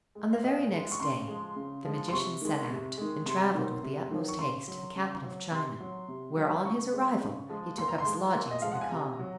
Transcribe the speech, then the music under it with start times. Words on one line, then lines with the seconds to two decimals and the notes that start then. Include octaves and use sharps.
On the very next day, the magician set out and travelled with the utmost haste to the capital of China, where, on his arrival, he took up his lodgings in a khan.
0.15 G#3
0.33 F5
0.44 A#2 D#5
0.72 G#3
0.91 C#6
1.00 C#3 C6
1.28 F3 G#3
1.56 C#3
1.85 F3 G#3
2.08 C6
2.13 C3 C#6
2.41 D#3 G#3
2.70 C3
2.98 D#3 G#3
3.26 C3 C6
3.55 D#3 F#3
3.83 C3
4.11 D#3 F#3
4.28 C#6
4.39 C#3 C6
4.68 F#3
4.96 C#3
5.24 F#3
5.52 C3 C6
5.80 F#3
6.08 C3
6.37 F#3
6.65 C#3 C#6
6.93 G#3
6.98 F3
7.22 C#3
7.49 F3 G#3
7.78 A#2 C6
7.88 A#5
7.98 C6
8.06 F3 G#3
8.35 A#2
8.51 D#5
8.62 F3 G#3 F5
8.72 F#5
8.81 G#5
8.91 C3 A#5
9.19 F#3